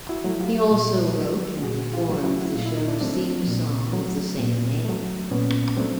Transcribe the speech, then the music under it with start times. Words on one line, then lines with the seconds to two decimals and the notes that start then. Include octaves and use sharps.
He also wrote and performed the show's theme song of the same name.
0.09 E4 F#4
0.24 F#3 A3
0.40 F4 G4
0.71 A#2
1.17 F#3 A3
1.62 A#2 F#4 G#4
1.93 F4 G4
2.09 F#3 A3
2.24 E4 F#4
2.54 A#2 F4
2.66 E4
2.77 D#4
2.88 D4 E4
3.01 F#3 A3 C4 D4
3.47 A#2
3.93 F#3 A3
4.39 A#2
4.85 F#3 A3
5.31 A#2 B3 C#4
5.77 F#3 A3 C4 D4